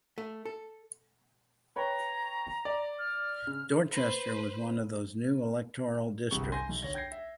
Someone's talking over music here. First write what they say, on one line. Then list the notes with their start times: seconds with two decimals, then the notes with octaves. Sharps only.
Dorchester was one of those new electoral districts.
0.18 A3
0.45 A4
1.76 B4 C#5 G5 A#5
2.65 D5
2.99 F6
3.47 C#3
3.91 B4 C5
6.31 G1 C2 G3 G#4 C#6
6.52 G#5 C6 G6 A#6
6.69 B1
6.82 D2 C#5 A#6
6.94 G5 G6 G#6 A#6 C7
7.12 E5